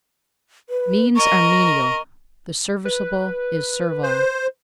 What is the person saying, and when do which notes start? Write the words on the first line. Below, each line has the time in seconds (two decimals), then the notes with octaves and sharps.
Means are menial, the serviceable is servile.
0.69 B4
1.16 A#4 D#5 C#6
2.85 B4
4.03 C5